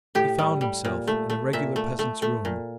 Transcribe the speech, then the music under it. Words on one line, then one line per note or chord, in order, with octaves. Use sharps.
He found himself in a regular peasant's room.
A2 G4
G3
G3
A#2
A3
A3
A#2 E5
A3
A3
A3
A#2